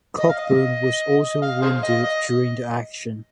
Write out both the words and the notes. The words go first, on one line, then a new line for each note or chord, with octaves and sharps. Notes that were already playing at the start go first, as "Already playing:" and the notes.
Cockburn was also wounded during the action.
D#5
F5
D#5
F5
G#4 C5 F5
D#5
D#5